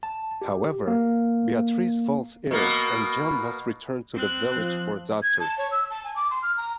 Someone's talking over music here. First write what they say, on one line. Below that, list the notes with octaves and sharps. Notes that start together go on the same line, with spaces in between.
However, Beatrice falls ill and John must return to the village for a doctor.
A5
G4
A#3
B2 A#3
C4 F#6
F3
G#6
A5
C#5
E6
A5
G#5
D6
C6
F6
A#5